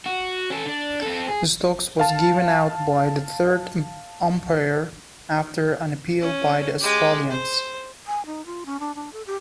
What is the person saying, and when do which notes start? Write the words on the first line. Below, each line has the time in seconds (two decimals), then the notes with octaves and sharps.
Stokes was given out by the third umpire after an appeal by the Australians.
0.06 F#4
0.50 C#4 A4
0.66 D4
1.03 C4 A4
1.29 G#4
1.99 F5 A5
6.21 C#4
6.80 G#3 G4
7.30 C5
8.07 G#5
8.26 D#4
8.46 F4
8.66 C#4
8.80 D4
8.95 D4
9.13 A4
9.27 G4